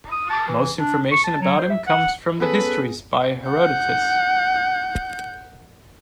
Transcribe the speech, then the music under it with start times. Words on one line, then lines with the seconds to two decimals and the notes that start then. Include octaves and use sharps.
Most information about him comes from "The Histories" by Herodotus.
0.12 D#6
0.30 A5
0.48 E3
0.79 D4
1.11 C#6
1.24 A5
1.41 F#3
1.58 C5
1.70 E5
1.87 F#5
2.40 B3 C#4 G#4 A4 B4
3.50 F#5 G6